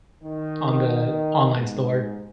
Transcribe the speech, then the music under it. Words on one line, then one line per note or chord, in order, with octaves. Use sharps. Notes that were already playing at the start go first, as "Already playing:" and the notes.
on the online store.
D#3
G#2